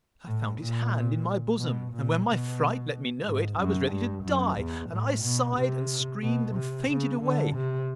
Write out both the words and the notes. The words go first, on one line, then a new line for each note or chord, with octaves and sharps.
I found his hand in my bosom; and when my fright let me know it, I was ready to die; and I sighed and screamed, and fainted away.
A2
A#2
B2
A#2
B2
G#2
F#2
G2
F#2
E2
A2
B2
C3
B2
C3
C#3
D3
C3